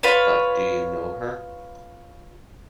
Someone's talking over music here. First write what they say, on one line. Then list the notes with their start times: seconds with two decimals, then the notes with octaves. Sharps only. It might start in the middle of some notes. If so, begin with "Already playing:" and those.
But do you know her?
0.03 F4 B4 C#5